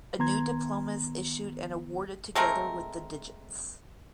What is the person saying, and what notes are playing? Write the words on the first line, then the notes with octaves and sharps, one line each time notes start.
A new diploma is issued and awarded together with the digits.
D#3 B3 A#5 C6 G#6
G#3 A3 C4 A#4